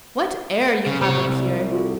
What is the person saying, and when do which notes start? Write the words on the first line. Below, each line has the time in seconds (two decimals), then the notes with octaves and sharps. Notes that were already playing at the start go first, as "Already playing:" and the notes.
What air you have up here!
0.86 C#3
1.01 C3 A3 C5 C#5 A#5
1.24 C2
1.72 F4 F#4 A4